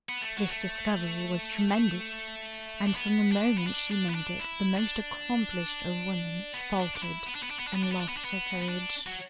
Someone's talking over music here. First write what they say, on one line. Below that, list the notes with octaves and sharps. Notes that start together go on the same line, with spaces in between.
This discovery was tremendous, and from the moment she made it the most accomplished of women faltered and lost her courage.
B3
A3
F#3
A3
D4
B3
D4
B3
D4
D4
B3
D4
E4
D4
B3
D4
D4
E4
B3
D4
B3
D4
B3
D4
B3
D4
B3
D4
B3
D4
B3
B3
D4
F#3